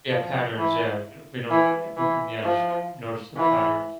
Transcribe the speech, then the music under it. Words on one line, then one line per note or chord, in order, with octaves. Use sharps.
Yeah, patterns, yeah, if we don't if we can, yeah, just notice the patterns.
F3
E3
E3
E3
F3
E3